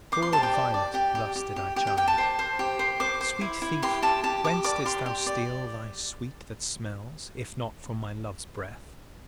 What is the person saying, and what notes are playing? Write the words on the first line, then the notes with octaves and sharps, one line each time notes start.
The forward violet thus did I chide: Sweet thief, whence didst thou steal thy sweet that smells, If not from my love's breath?
C5 D6
C6
G4 A5
G5
D5
D5
G4 G5
G4
G4
G4
G4 G5
G5
G4 G5
A5
C5
C5
G4
C5
C5 D6
C5
E4
E4
G4 C6
G4 A5
G4 A5
G4 D6
D5 D6
G4 C6
G4
D5